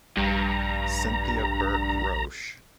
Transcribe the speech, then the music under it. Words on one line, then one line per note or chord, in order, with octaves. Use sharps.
Cynthia Burke Roche.
A#1 G2 A#5